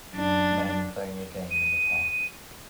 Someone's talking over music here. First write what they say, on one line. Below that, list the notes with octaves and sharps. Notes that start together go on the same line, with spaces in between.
Men playing a game in the park.
F#2 D4
D#7